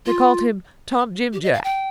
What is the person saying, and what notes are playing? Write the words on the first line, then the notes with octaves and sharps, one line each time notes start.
They called him Tom-Jim-Jack.
F4
G4
D#5
F5
G5